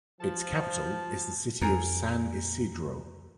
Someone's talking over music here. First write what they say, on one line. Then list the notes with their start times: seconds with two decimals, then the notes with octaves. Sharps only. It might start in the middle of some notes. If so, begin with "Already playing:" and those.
Its capital is the city of San Isidro.
0.21 F3 A5
1.61 F2 G#4 A#4